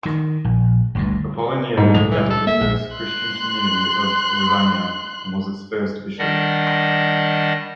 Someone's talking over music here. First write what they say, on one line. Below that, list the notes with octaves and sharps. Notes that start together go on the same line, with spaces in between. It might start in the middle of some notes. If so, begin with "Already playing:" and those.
Apollinaire gathered the first Christian community of Ravenna and was its first bishop.
D#3
A#1
G1 D2 G2
G#2 A3
C#2 A#2 F#3 G#3 F7
E3
A4
A#3 E5
A#1
C6 F#6
D#3 G3 D4 D5 D#5 F#5